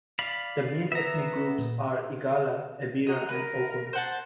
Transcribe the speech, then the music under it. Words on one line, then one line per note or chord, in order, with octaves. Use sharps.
The main ethnic groups are Igala, Ebira, and Okun.
D5 F5 B5
B3 E5 A#5
C#4
A#2
F#4 D#5 A#5 D#6
A#4 B4
C5 F#5 A5